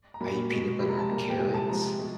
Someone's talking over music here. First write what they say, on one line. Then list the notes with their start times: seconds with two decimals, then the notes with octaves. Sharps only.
I eat peanut butter on carrots,
0.14 A#5
0.20 A#2 F#3 A#3 B5
0.50 B2 G#3
0.80 C3 F3 G#3 B5
0.89 A#5
0.99 A5
1.09 A#2 G3 A#3 A#5
1.30 G5
1.39 C3 F3 G#3 G#5
1.54 A5
1.69 C3 F3 G#3 A#5
1.99 B2 G#3